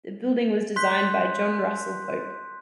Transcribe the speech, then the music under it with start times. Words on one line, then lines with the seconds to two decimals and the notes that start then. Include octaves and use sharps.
The building was designed by John Russell Pope.
0.76 C6 F#6 G6 B6